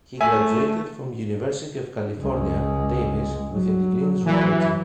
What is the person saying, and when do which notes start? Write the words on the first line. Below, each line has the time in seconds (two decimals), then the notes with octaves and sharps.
He graduated from University of California, Davis, with a degree in zoology.
0.21 A3 E5 G#5
2.19 C#2 G#3
3.51 F#3
4.26 E3 F#3